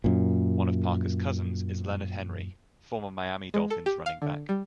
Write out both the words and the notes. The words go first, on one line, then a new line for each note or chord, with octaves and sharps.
One of Parker's cousins is Leonard Henry, former Miami Dolphins running back.
F#2 A#2
G#3
A4
G4
F5
D3
G3